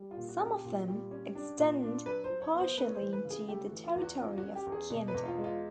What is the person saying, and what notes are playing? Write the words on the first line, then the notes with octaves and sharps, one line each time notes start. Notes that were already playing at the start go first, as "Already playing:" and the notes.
Some of them, extend partially into the territory of Canada.
Already playing: G3
F4
A#2
F#4
C#4 F#4
G4
A#2
G3
C#4
D4
A#2
D4
F#3 B4
C5
F#3
C#5
B3
C5
A3 B4
C#5
C5
E3
B4
C#3
G#4
A3 G4
F#4
E3
F4
E2
F#4
C#4 F4
F#4
C#4
G4
E2
G#4
B2
B4
E2
F4
G#3
F4